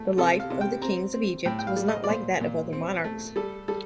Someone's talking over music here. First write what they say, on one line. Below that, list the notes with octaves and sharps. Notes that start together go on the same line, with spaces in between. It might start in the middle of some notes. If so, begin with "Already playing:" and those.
The life of the kings of Egypt was not like that of other monarchs.
Already playing: A3
C3 A4
F5
C3
G5
C4 A#5
C4
A2 G5
G5
F5
G3
D#5
D5
A#2 C5
A#2
C4
A3
G3 A4
G3 A4